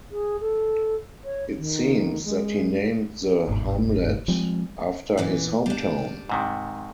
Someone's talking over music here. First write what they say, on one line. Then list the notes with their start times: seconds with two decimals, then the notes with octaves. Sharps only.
It seems that he named the hamlet after his home town.
0.11 G#4
0.40 A4
1.24 C#5
1.56 D#3
2.24 G#3
3.48 D1 G1 G#2 B2
4.28 F3 G3 G#3 C4
5.18 A#2 E3 B3
5.66 G3 D4
6.29 G#2 C3 D#3